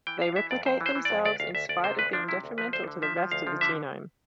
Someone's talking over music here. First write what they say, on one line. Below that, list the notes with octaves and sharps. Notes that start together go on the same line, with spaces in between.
They replicate themselves in spite of being detrimental to the rest of the genome.
E3 G5
F2 F5
E3 E5
F2 D5
F2 C5
E3
C5
E3
F2 D5
D2 D5
D2 F5
D2 E5
D2 D5
C3 C5
D2 B4
F3 D4
C3 E4
D2
F3 B4
D2 C5
D3
F3 E5
F3
D2 F5
F3
D3 E5